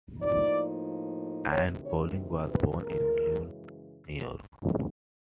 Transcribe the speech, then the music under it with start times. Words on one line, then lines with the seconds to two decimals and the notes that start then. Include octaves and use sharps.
Ann Collins was born in Lyons, New York.
0.21 A2 F3 A#3 D#4 D5
1.51 D2 C3 D#3 C#5
1.84 C#5
2.49 B4
2.81 F#2 C#3 E3 G#3 A#4